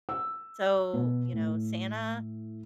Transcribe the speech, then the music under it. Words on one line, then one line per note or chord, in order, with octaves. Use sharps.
So, you know, Santa
E6
B2
A2